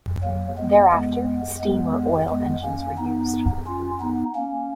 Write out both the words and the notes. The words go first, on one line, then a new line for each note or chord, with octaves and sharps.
Thereafter steam or oil engines were used.
F#3 A#3
G#3 B3
G#3 B3
G#3 B3
G#3 B3
A#3 C#4
B3 D#4
C#4 F4
B3 D#4
A#3 C#4